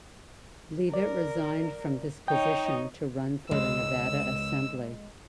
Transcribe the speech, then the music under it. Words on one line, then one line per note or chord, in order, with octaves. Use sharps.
Leavitt resigned from this position to run for the Nevada Assembly.
A#4 D5
D#4 C#5 D#5 G5
C#2 G#3 E6